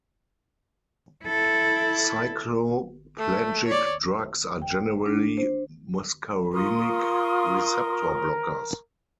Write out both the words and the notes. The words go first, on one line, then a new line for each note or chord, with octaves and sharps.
Cycloplegic drugs are generally muscarinic receptor blockers.
E4 A4
A3
C#5 D5
G5
D4
C5
F4 A#4 C6 C#6 D#6